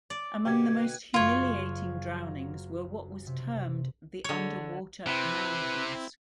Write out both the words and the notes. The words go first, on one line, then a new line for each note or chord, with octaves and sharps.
Among the most humiliating drownings were what was termed the "underwater marriages".
D5
B2 D3 G4 G5 G#6
B4
F#1 F#2 F4 C#5
A#4
C3
D3 C#5
C3 C4 E4 B4